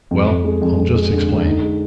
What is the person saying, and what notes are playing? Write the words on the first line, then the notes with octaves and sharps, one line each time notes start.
Well, I'll just explain.
F2
F2
G#3
F2
F2
G#3
D3
D3
D#4
G#3